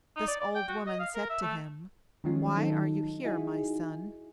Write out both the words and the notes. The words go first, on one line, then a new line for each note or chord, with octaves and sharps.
This old woman said to him, "Why are you here, my son?"
D#4
D5
D5
G5
F#4
D#5
F5
A#4
E5
A3
D#3 F3 F#3 G#3 C#4 F4
D#3 F#3 D#4 A4
D#4 E4 F#4 G#4